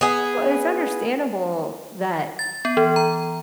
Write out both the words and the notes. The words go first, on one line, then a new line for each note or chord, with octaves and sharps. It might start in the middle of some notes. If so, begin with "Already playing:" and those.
Well, it's understandable that,
B3 G#4
A6
B3
E3
A#5